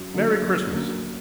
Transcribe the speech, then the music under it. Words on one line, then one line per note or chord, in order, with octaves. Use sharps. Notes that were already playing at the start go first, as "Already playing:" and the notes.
Merry Christmas!'
Already playing: F#2
D3 F#3 A#3
F#2
D3 F#3 A#3